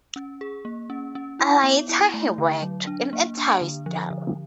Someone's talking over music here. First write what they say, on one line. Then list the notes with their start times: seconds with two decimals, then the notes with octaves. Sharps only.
Later he worked in a toy store.
0.16 C#4
0.41 G#4
0.65 A#3
0.90 C#4
1.15 C#4
1.39 E4
1.63 B3
1.89 E4
2.14 A3
2.38 D3
2.62 F#3
2.87 D4
3.13 A#3
3.37 D4
3.61 D3
3.86 F3
4.11 D3